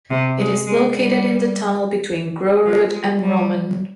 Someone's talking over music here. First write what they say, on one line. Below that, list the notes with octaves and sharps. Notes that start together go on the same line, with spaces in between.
It is located in the tunnel between Grorud and Rommen.
C3
G#3
G#3
G3
F3
G#3
G3